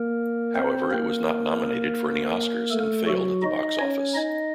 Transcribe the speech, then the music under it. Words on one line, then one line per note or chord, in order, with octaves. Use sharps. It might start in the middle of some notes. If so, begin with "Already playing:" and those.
However, it was not nominated for any Oscars and failed at the box office.
Already playing: A#3 A#4
C4 C5
A#3 A#4
A3 A4
F#3 F#4
D#4 D#5
C#4 C#5
D#4 D#5